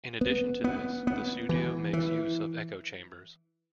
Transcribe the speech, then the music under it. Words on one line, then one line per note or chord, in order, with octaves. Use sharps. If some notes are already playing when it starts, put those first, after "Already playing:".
In addition to this, the studio makes use of echo chambers.
B3
B3
B3
E3
E3